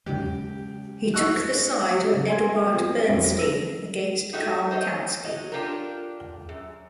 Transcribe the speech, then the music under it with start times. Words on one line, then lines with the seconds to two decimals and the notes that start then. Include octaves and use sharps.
He took the side of Eduard Bernstein against Karl Kautsky.
0.06 C#3 F#3 G#3 G4
1.14 F#4 D#5 F#5 C#6 E6 F#6
2.12 C#3 F#3
2.28 G#5 C6 G#6
2.73 F3 C4 F#4
3.05 F1 F2 C4 C#4 E5 D7
3.24 A#6
3.38 E6 A#6
4.33 D#4 E4 F#4 G4 A4
4.71 C5 C#5 D#5 F#5
5.24 F#3 D#5
5.52 D4 F4 G4 A4 A#4
6.49 F#2